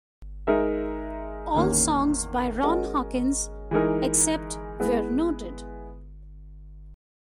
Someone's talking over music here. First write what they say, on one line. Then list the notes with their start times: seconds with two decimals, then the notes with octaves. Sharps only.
All songs by Ron Hawkins, except where noted.
0.47 G#3 D#4 A#4 E5
1.54 E2 D#3 A#3 C#4
2.63 G#3 C#4 F#4 A#4 D#5
3.71 E3 G#3 D#4 A#4
4.80 G#3 B3 E4 B4